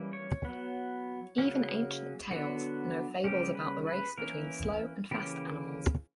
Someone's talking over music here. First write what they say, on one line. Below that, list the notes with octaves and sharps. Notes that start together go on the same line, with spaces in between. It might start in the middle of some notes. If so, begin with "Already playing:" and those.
Even ancient tales know fables about the race between slow and fast animals.
Already playing: E3 G3 A#3 C#4
C#5
F#3 B3
C#3 F#3 A#3 C#4
D3 F#3 B3 F#4
C#3 G3 A#3 C#4 G4
B4
B4
E3 A#3 C#4 A#4
C#3 E3 A#3 C#4 G4